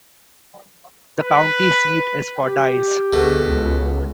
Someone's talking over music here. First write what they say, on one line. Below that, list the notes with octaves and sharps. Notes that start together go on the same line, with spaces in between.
The county seat is Fordyce.
B4
G4
D2 B2 A3 G#4 A4
C#2